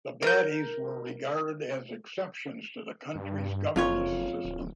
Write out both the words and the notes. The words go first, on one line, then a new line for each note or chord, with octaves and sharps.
The bateys were regarded as exceptions to the country's governance system.
A#4 G6
G2
F#1 F2 F4 C#5
D1